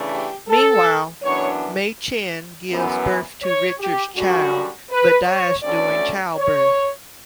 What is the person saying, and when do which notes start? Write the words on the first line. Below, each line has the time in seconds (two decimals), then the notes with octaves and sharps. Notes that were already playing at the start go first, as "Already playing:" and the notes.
Meanwhile, Mai Chen gives birth to Richard's child, but dies during childbirth.
Already playing: C#3 E3 A3 D4
0.11 G4
0.49 A4
1.23 F#2 E3 B3 D4 C#5
2.69 F#2 E3 B3
3.43 C#5
3.79 G4
4.16 F#2 D3 G3 F#4
4.90 B4
5.26 C#5
5.63 D2 D3 A3 C#4 D5
6.37 C#5